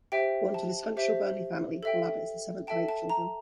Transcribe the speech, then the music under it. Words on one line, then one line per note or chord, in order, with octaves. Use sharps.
Born into a dysfunctional Burnley family, Paul Abbott is the seventh of eight children.
G4 C5 E5 G5
A5
G4 C5 E5
A4 E5 G5
A4 E5 G5 A5
A5
A#5